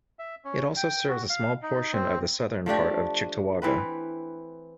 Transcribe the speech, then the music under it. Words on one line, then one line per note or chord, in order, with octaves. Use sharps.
It also serves a small portion of the southern part of Cheektowaga.
E5
C#4
G5
F#4
F5
D#4
C4
F3 A3 D4 G4
E3 C4 B4